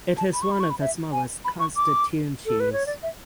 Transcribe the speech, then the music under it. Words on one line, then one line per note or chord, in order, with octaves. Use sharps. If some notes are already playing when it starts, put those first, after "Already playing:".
It is one of the smallest constituencies.
A5
B5
C#6
B5
C#6
B5
E5
G#5
B5
C#6
D6
A4
B4
C#5
D5
E5